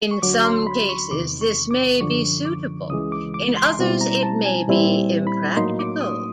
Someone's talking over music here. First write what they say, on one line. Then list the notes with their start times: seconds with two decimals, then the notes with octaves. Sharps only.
In some cases this may be suitable; in others it may be impractical.
0.11 C#6
0.22 D2 D3 F#3 D6
0.45 C6
0.67 B5
0.89 C#6
1.11 E2 C3 D#3 D6
1.41 C#6
1.71 D6
2.01 F#2 D3 F3 C#6
2.45 D6
2.90 C#2 C#3 E3 G#3 D#6
3.12 D6
3.34 D6
3.57 C6
3.79 B2 G3 C4 E4
4.01 A#5
4.23 A5
4.46 G#5
4.68 A#2 G3 C4 E4
5.27 B5
5.57 A2 F#3 A#3 D#4 C6
5.79 D6
6.01 D#6